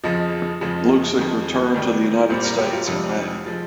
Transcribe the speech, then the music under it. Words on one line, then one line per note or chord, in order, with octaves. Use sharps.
Luksic returned to the United States in May.
F2 C#3 F3 D#5
F2 C#3 F3 G#3
F2 D#3 G#3
D#2 D#3 G3
C2 A#2 G3 C5
A#4
G4
F4
F2 C3 G3
F3 G#3